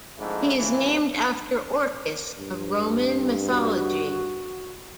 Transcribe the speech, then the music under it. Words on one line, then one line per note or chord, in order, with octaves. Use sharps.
He is named after Orcus of Roman mythology.
F2 G#2 G#3 A3 D4 E4
D#2 C#3 E3
G2
F#4